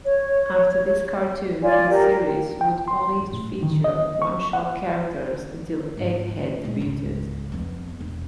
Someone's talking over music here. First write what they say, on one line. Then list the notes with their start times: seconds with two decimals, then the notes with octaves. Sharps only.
After this cartoon, the series would only feature one-shot characters until Egghead debuted.
0.05 C#5
1.62 F4 C#5 D5 G#5
1.90 G4 A#4
2.61 G5
2.88 C6
3.21 F#2
3.33 A2
3.63 D#3
3.84 D#5
4.22 C#6
4.53 F#5
5.97 G#2 C#4
6.64 A#2 G#3
6.80 G#1 C#2
7.52 F2 B3
8.01 E1